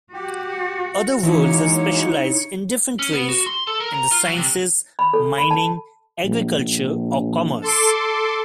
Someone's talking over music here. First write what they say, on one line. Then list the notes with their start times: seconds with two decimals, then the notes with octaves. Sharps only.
Other worlds have specialized in different ways, in the sciences, mining, agriculture or commerce.
0.13 F#4 G4
1.23 E3 F#3 G#3 A#3 D#4 E4 C#5
2.99 C#4
3.13 B3
3.29 F#4
3.46 C6
3.67 A4
3.80 A#4
3.93 A#5
4.11 F4
4.25 F#3
4.36 C3
4.99 B5
5.13 A4
5.38 B5
5.51 A5
6.25 A#1
7.62 A4 C6 D6